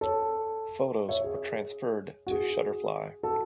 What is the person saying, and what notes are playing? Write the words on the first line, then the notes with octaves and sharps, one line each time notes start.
Photos were transferred to Shutterfly.
A4 C#5
C#5 E5
G#4
F#4
G#4
F#4 A4